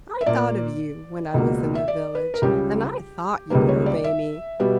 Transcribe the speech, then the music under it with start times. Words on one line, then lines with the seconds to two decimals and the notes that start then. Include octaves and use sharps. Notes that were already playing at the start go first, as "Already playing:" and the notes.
I thought of you when I was in the village, and I thought you would obey me.
0.21 E5
0.26 A#2 A#3 D5
1.34 C#2 B2 A#3
1.75 E5
1.88 D5
2.15 B4
2.34 A#4
2.42 C#2 C#3 G3 G4
3.50 C#2 C#3 G3 A#3 B4
3.69 C#5
3.86 D5
4.04 E5
4.60 B2 G3 B3